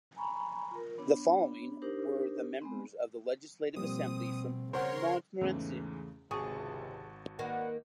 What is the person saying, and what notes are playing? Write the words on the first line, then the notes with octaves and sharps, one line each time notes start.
The following were the members of the Legislative Assembly from Montmorency.
G#5 A#5 B5 C#6
F4 A#4
B3 D4 C#5
D4 D#4 G4 A#4 C5
G#3 B3 C4
B2 F3 G3 A#3 C4 D#6
C#3 A#4 C5 C#5 F#5 C6
E2 G#2 C#3 E3 A3
G#1 C#2 C3 F#4 G#4 A5 C#6
D#3 A#3 B4 D5 F#5